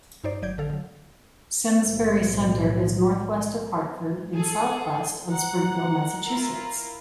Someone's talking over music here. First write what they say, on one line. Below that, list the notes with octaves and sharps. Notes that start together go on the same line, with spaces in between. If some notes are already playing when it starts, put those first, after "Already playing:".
Simsbury Center is northwest of Hartford and southwest of Springfield, Massachusetts.
G2 D#4 C5 D5
G1 F#3 D5 G6 G#6
G#1 D3 A4 F5
D3 F#3
B1 A2 F3
G#4 A4
F#5 A#5
E4 F4 A#4